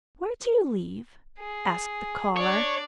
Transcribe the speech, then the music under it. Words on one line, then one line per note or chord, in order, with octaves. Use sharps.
"Where do you live?" asked the collar.
G#4
D4 C#5 D5